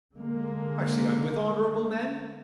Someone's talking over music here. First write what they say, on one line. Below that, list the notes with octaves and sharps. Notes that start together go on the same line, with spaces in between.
I see I'm with honorable men.
D3 G#3 A#3